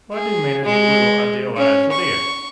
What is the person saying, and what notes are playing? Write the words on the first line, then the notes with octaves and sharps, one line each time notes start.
Why do men as a rule idealize the dead?
G#4
G#3
C#4
C#6